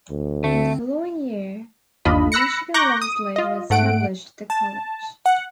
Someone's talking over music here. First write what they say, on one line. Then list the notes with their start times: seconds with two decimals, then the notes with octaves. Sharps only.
In the following year the Michigan Legislature established the college.
0.10 D2
0.44 D3 A3 C4
2.05 G1 D#2 D4 F4 D#5 B5
2.32 B5 E6 F#6 A#6 C#7
2.74 A#5 C#6 D6 F#6 G6 A#6
3.02 D#6
3.36 F4 D#5
3.70 G#2 A3 F#5 D7
4.50 A5
5.26 F#5